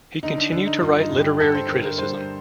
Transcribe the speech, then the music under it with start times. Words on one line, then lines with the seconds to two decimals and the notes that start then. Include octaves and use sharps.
He continued to write literary criticism.
0.23 D3 D#4
0.38 D4
0.52 D3 D4
0.66 D#4
0.81 G2 F4
1.01 D#4
1.10 G2
1.20 G4
1.40 G2 A4
1.55 C5
1.68 D3 A#4
1.83 A#4
1.97 G2 C5